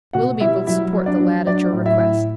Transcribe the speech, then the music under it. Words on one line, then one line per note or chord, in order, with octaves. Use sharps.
Willoughby will support the lad at your request.
B2 F#4 F#5
G3 E4 E5
F#3 E4 E5
F#3
D4 D5
F#3
F#3 D4 D5
A2
E4 E5
A2